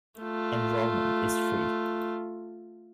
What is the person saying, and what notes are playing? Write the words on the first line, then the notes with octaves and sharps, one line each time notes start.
Enrollment is free.
A3 F4